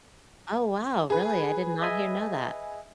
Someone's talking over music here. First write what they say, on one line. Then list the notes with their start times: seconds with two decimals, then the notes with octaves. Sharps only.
Oh, wow, really, I did not hear know that.
1.10 G#4 B4
1.82 D#5 E5 G#5